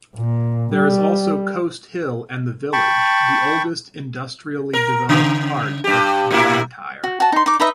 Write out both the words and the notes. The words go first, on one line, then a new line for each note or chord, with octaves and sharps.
There is also Coatshill and the village, the oldest industrially developed part of Blantyre.
A#2
G3
G5 A5 B5 C#6
A#4
C#3
G2 G4
A2 A#3 E4
F#4
F#4 A5
D#4 C6
D#4 D6
D#4 B4 D#5 E5